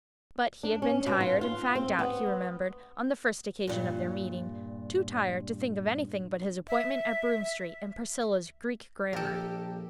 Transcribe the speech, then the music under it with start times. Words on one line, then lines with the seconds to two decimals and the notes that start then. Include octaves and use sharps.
But he had been tired and fagged out, he remembered, on the first occasion of their meeting--too tired to think of anything but his appointment at Broome street, and Priscilla's Greek grammar.
0.63 D4
0.82 C#4
1.06 B2
1.21 F4
1.41 F4
1.75 C4
1.99 B3
3.67 G2 A#2
6.68 E5
9.13 A#1 G4 A4 A#4 D5 G5